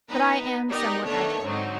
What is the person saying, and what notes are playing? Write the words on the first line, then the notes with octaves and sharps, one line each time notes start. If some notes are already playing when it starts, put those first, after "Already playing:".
But I am somewhat agitated.
B3 D#4 B4
B3 D#4 G4 A#4 D5 D#5
D#3 A3 B3 D4 A4 C#5
G#2 D3 F#3 C4 D#4